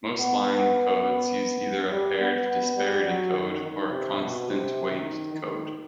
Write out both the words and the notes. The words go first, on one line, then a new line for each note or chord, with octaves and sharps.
Most line codes use either a paired disparity code or a constant-weight code.
B3
G3
B3
B3
G3
F#3
D#3
D#3
C3
B2
C3
D#3
D#3